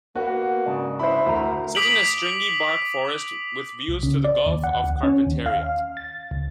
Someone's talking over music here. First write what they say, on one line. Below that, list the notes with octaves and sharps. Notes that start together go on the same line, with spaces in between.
Set in a stringybark forest with views to the Gulf of Carpentaria.
A#3 B3 F#4
G#2 C#3 D4
E4 C5 B5
D2 A3 A#4
D6 D#6 B6 D7 F7 F#7
C2
C#3
D5
D#2
F#5
D2
C#4
D#2
F5
A6
C#2